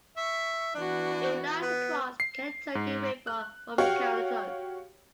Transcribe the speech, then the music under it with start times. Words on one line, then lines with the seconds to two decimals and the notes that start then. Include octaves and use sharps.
It lies across the Kentucky River from Carrollton.
0.17 E5 C#6
0.75 E3 B3 D4 F#4
1.62 B3
2.20 C7
2.75 G#2
3.27 F#6
3.78 F#4 G4 C#5 F5 G5